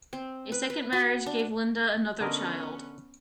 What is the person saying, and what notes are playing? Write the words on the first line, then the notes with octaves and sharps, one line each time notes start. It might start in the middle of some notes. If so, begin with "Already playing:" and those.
A second marriage gave Linda another child.
C4
B4
B4
F#4
D4
D3 B3 C#4 A#4 D#5